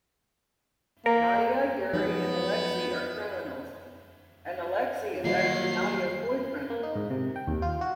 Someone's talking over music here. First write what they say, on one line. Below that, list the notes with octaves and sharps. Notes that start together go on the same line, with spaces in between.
Nadia, Yuri, and Alexei are criminals, and Alexei is actually Nadia's boyfriend.
A#3 A#4
F3 F#3 G#3 B3 D#4 C#5
D#3 F#3 G3 A#3 F4 F#4 D#5 C7
A#3
D#4
G#2
C3
G5
D#2
F4
F#4